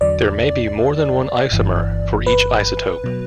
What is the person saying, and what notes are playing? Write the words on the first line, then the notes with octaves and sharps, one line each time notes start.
There may be more than one isomer for each isotope.
E2 D3 F#3 D5
G1 G2 E3
B4
B2 F#3